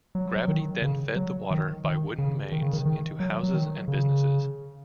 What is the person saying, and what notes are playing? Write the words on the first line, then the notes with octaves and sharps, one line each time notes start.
Gravity then fed the water by wooden mains into houses and businesses.
F#3
F#3
D#3
C#3
F#3
D#3
D#3
C#3
D#3
C#3
D#3
D#3
F#3
F#3
D#3
C#3